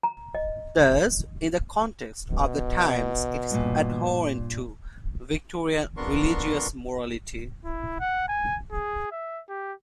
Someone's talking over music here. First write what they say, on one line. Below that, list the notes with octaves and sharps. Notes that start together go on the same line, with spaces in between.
Thus, in the context of the times, it is abhorrent to Victorian religious morality.
A#5
D#5
B2
G2 A#2
F2 B3 D4 A#4 C6 C#6
E4
F#5
G#5
G#4
E5
G4